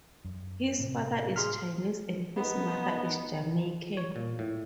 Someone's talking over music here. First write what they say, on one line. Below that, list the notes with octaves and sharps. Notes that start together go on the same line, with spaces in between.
His father is Chinese and his mother is Jamaican.
F#2
A2 C3 A#3
G#4 C6 F6
B3 D#4
C#5
A#2
A2